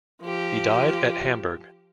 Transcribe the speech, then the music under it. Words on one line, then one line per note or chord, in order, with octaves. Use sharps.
He died at Hamburg.
F3 G4